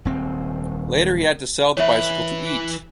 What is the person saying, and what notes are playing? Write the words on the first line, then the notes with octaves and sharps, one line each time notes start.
Later he had to sell the bicycle to eat.
D#1 C4
E3 B4 C#5 E5